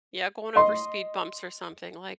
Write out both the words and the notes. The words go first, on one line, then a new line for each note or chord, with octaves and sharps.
yeah, going over speed bumps or something, like
D#5 C6